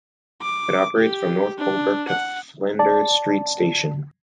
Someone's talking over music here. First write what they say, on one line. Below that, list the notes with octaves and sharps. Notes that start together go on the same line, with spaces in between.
It operates from North Coburg to Flinders Street station.
D6
G4
D4
F#5
D5 A5